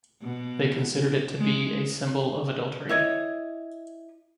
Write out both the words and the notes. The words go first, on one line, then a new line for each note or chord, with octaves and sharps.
They considered it to be a symbol of adultery.
B2
G#3
E4 C#5 D#5